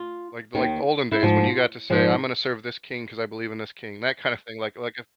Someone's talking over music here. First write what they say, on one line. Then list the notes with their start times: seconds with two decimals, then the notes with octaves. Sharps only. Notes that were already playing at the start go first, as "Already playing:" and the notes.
like the, like olden days when you got to say, "I'm gonna serve this king 'cause I believe in this king." that, kinda, thing, like, like if,
Already playing: F4
0.55 D#2 D#3
1.12 E4
1.22 G#2 F3 F4
1.90 G#2 F3